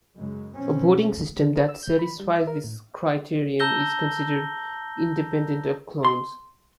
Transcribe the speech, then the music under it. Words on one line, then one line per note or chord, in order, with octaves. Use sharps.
A voting system that satisfies this criterion is considered "independent of clones".
F#2 C#3 G#3
B2 F3 C4 C#4
D#3
A#4
E6
G6
B5
G3
E5
A#4
A2
A5 A#5 E6 G6 A#6 G7
C6